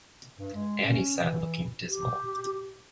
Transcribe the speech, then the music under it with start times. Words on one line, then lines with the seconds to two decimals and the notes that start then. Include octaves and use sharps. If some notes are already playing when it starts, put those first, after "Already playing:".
Annie sat looking dismal.
0.39 G2
0.54 G#3
0.82 C#4
1.18 E3
1.88 G4